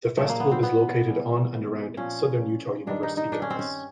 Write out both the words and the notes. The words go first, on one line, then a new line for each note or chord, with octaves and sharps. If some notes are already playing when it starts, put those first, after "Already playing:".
The Festival is located on and around the Southern Utah University campus.
A#2 F3 A3
A#3
B3
C4
B3
C3 E3 G3
A#2 F3 C#4
G2 D#3 G3 D4
D#4
D#4
D4
C#4
C4
C#4